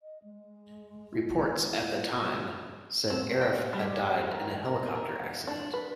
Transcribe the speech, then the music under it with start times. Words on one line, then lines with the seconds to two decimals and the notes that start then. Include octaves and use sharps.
Reports at the time said Arif had died in a helicopter accident.
0.02 D#5
0.23 G#3
1.14 E4 F4
3.10 C4
3.41 G5
3.73 G3
4.32 D#3
4.65 A#4
4.95 D#3
5.47 D4
5.74 B4